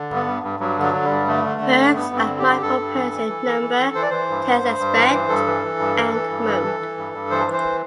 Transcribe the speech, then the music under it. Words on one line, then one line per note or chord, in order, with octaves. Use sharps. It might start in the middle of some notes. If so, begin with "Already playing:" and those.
Verbs are marked for person, number, tense-aspect, and mode.
Already playing: D3
G2
B3
G2
G2
G2 F#3
D3 F#3
D3
G3
G2
D3 A3
D3
D3
G2
G2 B3
G2
C4
D3
G4
G2
G2 A4
G2
E3
E3
E3
E3
E3
E3
E3 C5
D5
E3 C5
G2
G2
G2
G2
E3
G2
G2 A4
E3
E3
G2
E3
E3
G2
E3
E3
E3
G2
G2
E3 C5
E3
C5